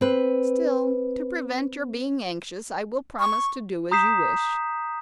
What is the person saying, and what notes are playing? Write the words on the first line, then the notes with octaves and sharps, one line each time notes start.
Still, to prevent your being anxious I will promise to do as you wish.'
C4 B4
C#6
A#5 D#6 G6 B6 C7 E7